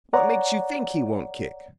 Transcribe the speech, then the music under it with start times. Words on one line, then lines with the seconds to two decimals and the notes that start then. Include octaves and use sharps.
"What makes you think he won't kick?"
0.13 C#5 D5 F#5 A#5